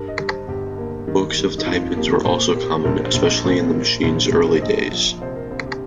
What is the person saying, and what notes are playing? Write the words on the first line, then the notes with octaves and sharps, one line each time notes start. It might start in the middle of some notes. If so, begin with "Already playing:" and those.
Books of type-ins were also common, especially in the machine's early days.
Already playing: G2 A#4
D#5
G3
C5
G1 G4
A#3
D#3
G3
D#4
F2 F4
A#3 G4
A#2 C5
A#3 G4
A#1 A#4
C5
A#1
D#5
A#2 C5
A#3
A#1
A#1
A#4
C5
A#2 D#5
F3
C2 C5
A#4
C2 C5
G4